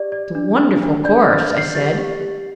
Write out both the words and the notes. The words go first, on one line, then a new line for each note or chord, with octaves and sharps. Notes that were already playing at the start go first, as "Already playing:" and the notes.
"It's a wonderful course," I said.
Already playing: G4 D5
D5
D4
D4
D4
D5 G6
F6
D5 A6
G6
D5
C7
G4 A6
G4
G4